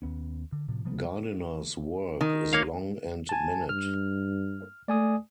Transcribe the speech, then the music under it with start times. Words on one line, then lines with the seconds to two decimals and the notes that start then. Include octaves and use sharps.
Gardiner's work is long and minute.
0.02 D#2 B3 C#4
0.52 D3
0.68 A2 C3 F3
0.85 C3 F3 G3 B3
2.21 D#3
2.53 A#3 C#5 F5
3.29 G#5 A5
3.69 G2 F6
4.88 A3 D5 G#5 D#6